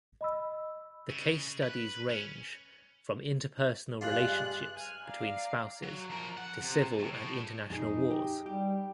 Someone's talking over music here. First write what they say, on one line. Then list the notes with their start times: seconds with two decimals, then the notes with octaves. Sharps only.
The case studies range from interpersonal relationships between spouses to civil and international wars.
0.21 D#5 B5 E6
1.10 C#3
1.63 B4
2.10 C#4
4.01 G2 G#3 D4 F4 F#6
4.76 G#5 F6
5.07 D5 F5 A#5
5.83 F#3
6.10 F3 A#4
6.37 F#5
6.62 C3
6.99 A2 F#3
7.13 A2
7.70 F2 A#2 D#4 G#4
8.10 G4
8.46 G3 G4